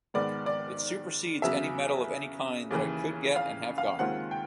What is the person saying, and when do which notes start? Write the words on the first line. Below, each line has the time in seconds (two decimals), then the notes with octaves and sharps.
It supersedes any medal of any kind that I could get and have got.
0.14 G#2 D#3 G#3 B3 D5
0.46 D5
1.42 E2 C#3 F#3 E5
2.71 D#2 C#3 E3
3.36 F5
3.78 F5
3.99 D#2 D#3 G#3 C4 F4 F#5
4.31 G5